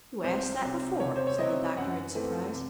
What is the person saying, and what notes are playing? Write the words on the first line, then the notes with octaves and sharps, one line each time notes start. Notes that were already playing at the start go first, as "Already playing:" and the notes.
"You asked that before," said the doctor in surprise.
C2 C5
C3 F#3
C3 C#5
C5
C#5
F#3 C4 E4 D#5
F#2 F#5
E3 A3 C4
C3